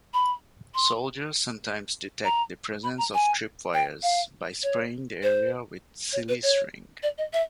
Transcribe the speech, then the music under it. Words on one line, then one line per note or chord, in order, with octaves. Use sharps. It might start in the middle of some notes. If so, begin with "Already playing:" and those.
Soldiers sometimes detect the presence of tripwires by spraying the area with Silly String.
B5
C6
A#5
B5
A#5
G#5
G5
F5
C#5
C5
C#5
B4
C#5
D5
D#5
E5